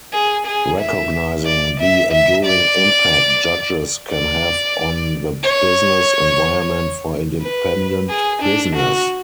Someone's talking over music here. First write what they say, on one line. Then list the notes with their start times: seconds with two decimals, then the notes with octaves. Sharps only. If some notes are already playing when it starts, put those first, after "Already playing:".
Recognizing the enduring impact judges can have on the business environment for independent business.
0.14 G#4
0.46 G#4
0.80 E5
1.46 D5
1.80 E5
2.12 E5
2.45 D5
4.11 D5
5.43 C#5
7.42 B4
8.09 G#4
8.42 D4
8.76 F#4